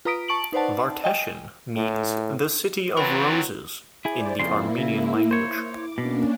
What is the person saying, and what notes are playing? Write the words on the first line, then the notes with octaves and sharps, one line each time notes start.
Vartashen means the city of roses in the armenian language.
F4 B4 A#5 D#6 B6 D7
A5 C#6 D7 F#7
D#4 B4 C5 D5 F#5 A5
D#5 G5 G#5
A2
E3 F#3 C4 F4 B4 G5 B5
E4 G#4 C5 D5
F2 C#3 A#3 E4 C6
C#3
C5 C#5
D6
B2 A#3 C#4 D4